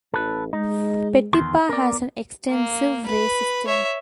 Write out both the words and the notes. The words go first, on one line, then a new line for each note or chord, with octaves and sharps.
Petipa has an extensive ray system.
A1 A4 B4
G#3 D#4
E2 D#3 C6
B3 A#4 D5
A#3
B4
C#5 E5